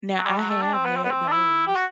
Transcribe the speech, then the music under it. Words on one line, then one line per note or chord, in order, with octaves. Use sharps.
Now I have had those.
F#3
G3
F#3
A3
D4
C4
B3
C4
B3
C4
D4
E4
G4
F#4